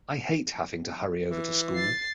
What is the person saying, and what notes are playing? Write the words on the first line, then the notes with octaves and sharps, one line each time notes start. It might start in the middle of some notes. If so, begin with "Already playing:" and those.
I hate having to hurry over to school.
E3
A6 C7